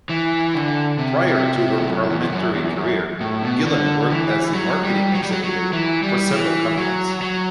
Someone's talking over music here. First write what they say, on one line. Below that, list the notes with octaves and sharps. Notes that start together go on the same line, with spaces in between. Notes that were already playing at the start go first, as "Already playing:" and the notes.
Prior to her parliamentary career, Gillan worked as a marketing executive for several companies.
E3
D3
C3
C3
C3
E2
F#2
E2
E2
F#2
E2
F#2
A2
B2
D3
E3
F#3
G3
F#3
G3
F#3
F#3
E3
G3
E3
F#3
F#3